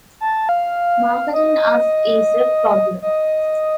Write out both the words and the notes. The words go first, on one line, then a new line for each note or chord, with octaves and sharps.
Marketing us is a problem.
A5
F5
D#5
D#5